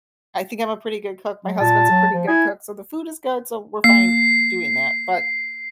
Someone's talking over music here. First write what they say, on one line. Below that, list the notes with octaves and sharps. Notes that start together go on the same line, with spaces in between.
I think I'm a pretty good cook, my husband's a pretty good cook, so the food is good, so, we're fine doing that, but
F#3
A#2 A5
F#3
F3
E4 G#5
A#3 C7